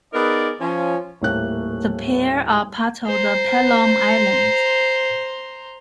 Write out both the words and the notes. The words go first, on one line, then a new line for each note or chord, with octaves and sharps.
The pair are part of the Pelham Islands.
B3 D#4 G#4 A#4 B4 D5
F3 C#4
D#1 A2 A#3 F#6
C5 A#5